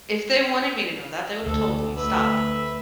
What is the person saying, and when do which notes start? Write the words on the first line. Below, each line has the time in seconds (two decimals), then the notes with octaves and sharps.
If they wanted me to know that, they would have told me, stop."
1.44 D2 A4
1.96 B4 E5